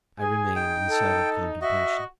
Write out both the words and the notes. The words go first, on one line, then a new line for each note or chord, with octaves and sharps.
I remained in silent contemplation.
G#4 G#5
D#4 G5
A4
F#4 D#5 E5